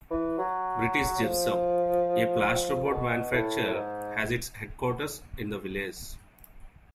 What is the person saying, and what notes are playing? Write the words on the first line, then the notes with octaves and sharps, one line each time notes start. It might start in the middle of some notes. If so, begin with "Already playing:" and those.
British Gypsum, a plasterboard manufacturer, has its headquarters in the village.
E3
F#3
F3
A#2
B2
A2
A2
G#2